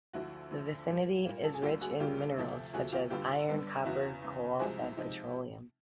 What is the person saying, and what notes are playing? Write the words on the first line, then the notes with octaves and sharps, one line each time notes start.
The vicinity is rich in minerals such as iron, copper, coal, and petroleum.
D2 D3 F3 E4 F#4
D2 D3 F3
A#2 G3 A#3
A#2 G3 A#3
A4
G#4
D2 D3 G3 A#3 D4 F4 G4
F#4 G#4
D2 D3 G3 A#3 D4 F4 G4
D2 C3 F3 A3
D2 C3 F3 A3 F#4 G#4
F4 G4
G2 D3 G3 B3 D4 F4 G4
G2 D3 G3 B3 D4
E2 C#3 E3 E4 F#4
E2 C#3 E3
C2 C3 F3 G#3 C4 F#4 G#4
D#4
C3 F3 G#3 C4 D#4